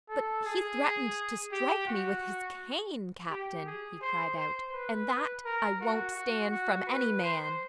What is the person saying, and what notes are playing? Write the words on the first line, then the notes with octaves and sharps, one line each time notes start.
"But he threatened to strike me with his cane, Captain," he cried out, "and that I won't stand from any man!"
A4
G#4
G4
F#4
G4
G#4
C5
C5
B4
A#4
F#4
F#4
F#4
B4
C5